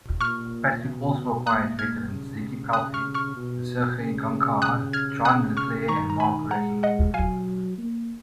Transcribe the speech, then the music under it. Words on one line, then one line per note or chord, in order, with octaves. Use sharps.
Patrick also acquired veterans Ziggy Palffy, Sergei Gonchar, John LeClair and Mark Recchi.
A#2 C#6 F6
B2
A#3 D#6 F#6
A#3 F6 G#6
C#3
D#6 F#6
C#6 F6
C#6 F6
B2
C#3
D#6 F#6
F6 G#6
D#6 F#6
C#6 F6
D#3 A#5 C#6
A#5
G#5 B5
G#3 F#5 A#5
D#5 F#5
F#3 F5 G#5
A#3